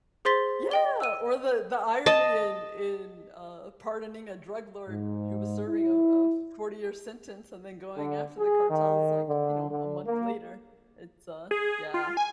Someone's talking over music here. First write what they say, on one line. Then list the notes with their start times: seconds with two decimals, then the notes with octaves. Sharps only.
Yeah! Or the the irony in in uh, pardoning a drug lord who was serving a a forty-year sentence and then going after the cartels, like, you know, a month later. It's, uh yeah.
0.25 G#4 C5 C6 A6 B6 G7
0.71 D#5 G5 G7
1.00 E6 D#7
2.06 D#5 A5
4.88 G#2
5.68 E4
7.96 D3
8.38 G#4
8.69 D#3
9.28 D3
9.70 D3
10.07 A#3
11.51 G#4
11.94 F4
12.17 G#5